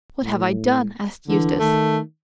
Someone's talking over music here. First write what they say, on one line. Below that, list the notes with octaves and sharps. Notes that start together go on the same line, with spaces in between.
"What have I done?" asked Eustace.
A2
D3 E3
D#3 A3